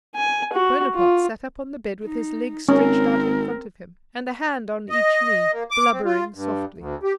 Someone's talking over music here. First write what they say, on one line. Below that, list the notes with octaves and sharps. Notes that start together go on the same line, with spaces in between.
Bonaparte sat up on the bed with his legs stretched out in front of him, and a hand on each knee, blubbering softly.
G#5
F#4
F4
D#4
G#1 C4 C#4 A#4
D#5
A#3
D6
C4
F4
G2
D2
G4